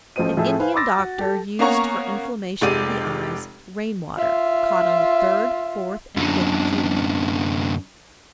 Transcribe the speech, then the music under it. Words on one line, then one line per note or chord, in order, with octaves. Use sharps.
An Indian doctor used for inflammation of the eyes rain-water caught on the third, fourth, and fifth of June.
A1 F3 A3 C5 D#5 D#7
A2 F3 G#4 A4 E5
B4 C5 F5 G#5
B5 C6 D6 E6 A6 A#6
F#4
G4 A4
A#3 B3 C#4 A#5 C#6
F1 G#3 G4 D5 D#7
F4 E5
F#2 D3